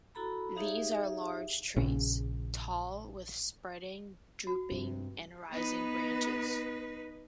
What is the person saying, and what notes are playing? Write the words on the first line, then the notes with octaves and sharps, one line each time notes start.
These are large trees, tall, with spreading, drooping, and rising branches.
E4 F#4 A4 A#5 B5
D#4 G4 G#4 C#5 E5 F5
A#1 C#3
F#4
G2 C3
B3 D#4 B4